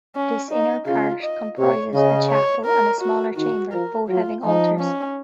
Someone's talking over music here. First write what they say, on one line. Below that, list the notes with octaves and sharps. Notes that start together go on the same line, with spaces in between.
This inner part comprises a chapel and a smaller chamber, both having altars.
C#4
D#4
C#3 F4
D#5
C3 C#5
C#3 D#5
C#5
A#4
F#4
D#3 F#4
F3 A#4
F#3 F4
F3 D#4
C#4